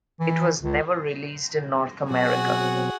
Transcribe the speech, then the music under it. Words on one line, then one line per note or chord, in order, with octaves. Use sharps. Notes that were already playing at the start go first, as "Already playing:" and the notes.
It was never released in North America.
E3
C#2
B2 F#3 C4 F#4 G#4 F#5